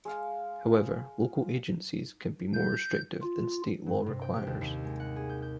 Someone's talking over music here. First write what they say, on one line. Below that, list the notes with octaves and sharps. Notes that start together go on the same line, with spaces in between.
However, local agencies can be more restrictive than state law requires.
G#3 F5
G6
F4
G2
C3
G5
G4
D#2
D#2
G#3
F#5
G#4
G6
G6